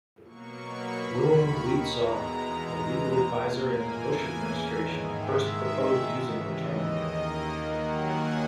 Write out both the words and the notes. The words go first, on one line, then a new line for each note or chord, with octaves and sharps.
William Lietzau, a legal advisor in the Bush administration first proposed using the term.
B2 F#3 A#3 C#6
B5
D#2 D#3 A#3
C#6
E2 B2 G#3 A#5
E2 B2 G#3 A#5
A#2 A#3
G#5
E2 C#3 E3 A#3
G#2 D#3 G#3
E5
G#2 D#3 G#3
D#2 C#3 E3
D#5
D#2 D#3 A#3
D#2 D#3 F#3 A#3 F#5
G#5